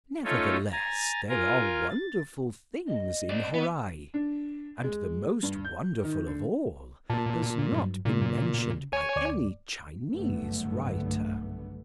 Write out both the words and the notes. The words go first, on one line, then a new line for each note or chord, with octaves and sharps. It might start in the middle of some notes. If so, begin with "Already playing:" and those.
Nevertheless there are wonderful things in Horai; and the most wonderful of all has not been mentioned by any Chinese writer.
A3 C#4 D#4 F4 A4 C#5
G#5 A#5 A6
F4 A#4 G#5 A#5
A6
D#5
C4 D5
B3
D4
G#3
G2
G6
D#3
D3
A#2 A5
G2 F#3
A#2 C#3
C#5 G#5
D2 D5 D6
F#1 B1 G2 D3 A3 B3